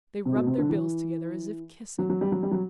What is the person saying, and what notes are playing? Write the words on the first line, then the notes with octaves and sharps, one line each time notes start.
They rubbed their bills together as if kissing.
C3
B2
C3
D3
E3
F#3
F#3
G3
F#3
G3
F#3